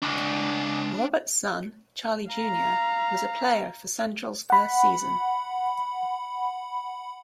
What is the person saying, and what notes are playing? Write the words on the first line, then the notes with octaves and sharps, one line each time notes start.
Roberts' son, Charlie Junior was a player for Central's first season.
C#2 D4 D#5
F5 A#5
F#5 B5